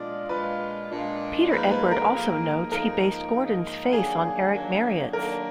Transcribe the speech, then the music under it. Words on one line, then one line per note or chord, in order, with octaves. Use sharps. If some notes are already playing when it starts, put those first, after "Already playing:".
Peter Edwards also notes that he based Gordon's face on Eric Marriot's.
Already playing: A#2 G#3 D4 F4 D5 D#5
A#2 G#3 D4 F4 B4
A#2 G#3 D4 F4
G#2 F3 A#3 D#4 B4
B4
A#4
G#2 F3 A#3 D#4
G#2 F3 A#3 D#4 A#4
G#2 F3 A#3 D#4
D#3 F#3 A#3 D4 G#4
D#3 F#3 A#3 D4
D#3 F#3 A#3 D4 A#4